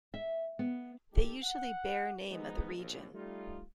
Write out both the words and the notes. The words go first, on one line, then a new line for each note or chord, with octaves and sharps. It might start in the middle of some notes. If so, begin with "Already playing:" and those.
They usually bear name of the region.
E5
B3
A3 D#4 G4 A4
F#5
F3 G#3 B3 D#4
A#1 D#2
G3 A3 D#4 F4